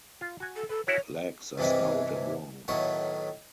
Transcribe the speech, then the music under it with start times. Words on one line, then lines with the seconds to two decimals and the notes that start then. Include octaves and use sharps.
Legs are stout and long.
0.21 F4
0.40 F#4 G#5
0.56 A4
0.69 A4 B4
0.87 E4 F#4 A#4 C#5
1.58 G2 C3 E3 G#3 B4
2.68 A2 D#3 F#3 B3 C#6